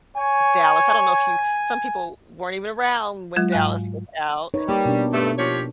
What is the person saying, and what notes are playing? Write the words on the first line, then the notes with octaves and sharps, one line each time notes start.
Dallas, I don’t know if you some people weren’t even around when Dallas was out.
C#5 G#5
F#3 G#3 F4
G#2 F5 G#5 F#6
D#4 B4 C#5
G3 A#3 G4
B2 D4
G2 A3
F3 G4 C#5